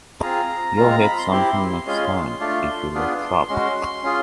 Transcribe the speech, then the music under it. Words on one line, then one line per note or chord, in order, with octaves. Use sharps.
You’ll hit something next time, if you look sharp.
C4 F4 G#4 A#5
G#3 C4 F4 A#5
A#5
B5
C6
C4 E4 G4 C6
G#3 C#4 F4 G#4
A3 D4 F4
B3 D4 F4 G#4
G#3 C#4 F#4 C6
C#4 F4 G#4